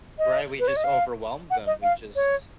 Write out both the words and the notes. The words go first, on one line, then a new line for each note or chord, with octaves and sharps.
Right, we just overwhelmed them, we just
D#5
B4
C#5
D#5
F5
F#5
D#5
F5
C#5